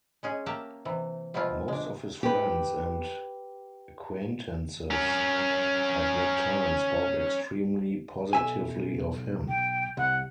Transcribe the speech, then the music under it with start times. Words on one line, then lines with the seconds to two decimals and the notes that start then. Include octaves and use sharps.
Most of his friends and acquaintances at that time spoke extremely positively of him.
0.23 G#3 C#4 G#4
0.46 A#3 G4 E5 A5 A#5
0.85 C3 E3
1.34 B2 F3 G3 G#3 E4 F4
1.68 G#3 D4
2.23 G4 B4
4.90 C#4 A#4
8.33 B1 E5 G#5
9.48 G5
9.97 C2 F#5